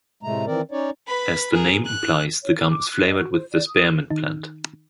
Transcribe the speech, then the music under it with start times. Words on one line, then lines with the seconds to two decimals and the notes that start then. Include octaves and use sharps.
As the name implies the gum is flavored with the spearmint plant.
0.23 A2 C3 G#3 A3 A#5
0.46 D#3 E3 C4 A#4 D5
0.71 C#4 D#4 C#5 D5
1.07 B4 B5
1.53 G#4 A#4
1.85 F#6
2.43 C#5
2.56 A#4
2.68 D6
2.88 F#6
3.04 D#5
3.18 F#4
3.32 C5
3.52 D5
3.67 D#6
4.10 D#3 D#4